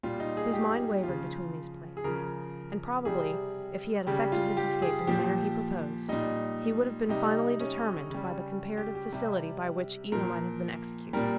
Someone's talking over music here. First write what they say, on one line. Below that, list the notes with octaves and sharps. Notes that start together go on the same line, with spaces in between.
His mind wavered between these plans, and probably, if he had effected his escape in the manner he proposed, he would have been finally determined by the comparative facility by which either might have been executed.
A#2 G3 F4
D#4
G#4
G4
C#3 F3 F4
G#4
C#3 F3 A#4
C3 G3 G#4
C#3 G3 G4
F4
G4
G#4
A#2 F3 G4
A#2 G3 D#4
C3 G3 D#4
C#4
C#3 G3
G4
G4
C3 G3
A#2 F3 A#4
A#2 G3 A#4